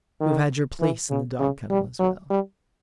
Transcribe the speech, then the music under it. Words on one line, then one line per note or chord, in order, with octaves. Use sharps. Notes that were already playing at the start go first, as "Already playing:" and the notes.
You have had your place in the dog-kennel as well.
D#3
E3
C#3
C#3
G3
F#3
G3